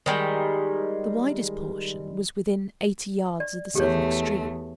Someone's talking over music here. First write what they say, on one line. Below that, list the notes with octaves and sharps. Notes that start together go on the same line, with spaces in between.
The widest portion was within eighty yards of the southern extreme.
D#3 G3 G#3
D5
E2 A3 G4 G#4 C#5